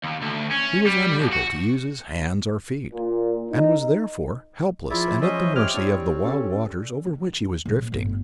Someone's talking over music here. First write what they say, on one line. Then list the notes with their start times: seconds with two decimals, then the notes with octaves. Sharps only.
He was unable to use his hands or feet, and was, therefore, helpless and at the mercy of the wild waters over which he was drifting.
0.04 D#2
0.22 D2
0.52 C#4
0.87 G3
1.19 B1
1.33 F#4
2.93 A#2
3.51 D#4
4.90 F3 E4 F4 G#4 D5 E5
5.22 C#4 C5 D#5 E5
5.56 G4 C#5 C6 D6 F6
5.74 C4 D4 E4 C#5
6.23 C#4 A4
7.06 D#3
7.66 A#1 F#3
7.92 G1 A2